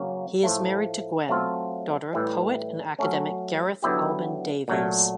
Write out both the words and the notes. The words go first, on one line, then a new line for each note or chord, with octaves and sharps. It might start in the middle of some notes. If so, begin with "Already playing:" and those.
He is married to Gwen, daughter of poet and academic Gareth Alban Davies.
Already playing: C#3 F#3 A#3 C#4
A2 F3 A3
F#3 A3 C4 F4
A2 E3 G3
F#3 A3 C#4
D3 F#3 B3 E4 G4
A#2 F#3 A3